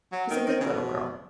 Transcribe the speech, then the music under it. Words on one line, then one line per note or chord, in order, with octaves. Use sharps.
She's a good little girl.'
F#3
D#3
D#3
C#3
B2